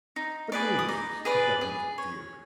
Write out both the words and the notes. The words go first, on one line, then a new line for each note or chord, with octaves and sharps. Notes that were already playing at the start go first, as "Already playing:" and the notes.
But in any case what have we to fear?
D#4
G#4 B4 D5
D#6
D#4 D6
G#4 B4 D5
G#4
C#5